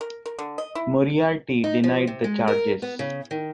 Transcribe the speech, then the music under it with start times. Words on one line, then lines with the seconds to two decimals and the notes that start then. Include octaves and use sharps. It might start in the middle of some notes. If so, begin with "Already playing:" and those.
Moriarty denied the charges.
0.01 A#4
0.26 A#4
0.39 D3
0.58 D#5
0.75 E4
1.64 D#4
1.84 F3
2.07 C3
2.24 G#3
2.48 A#4
2.82 B3
2.99 C#3
3.31 D#3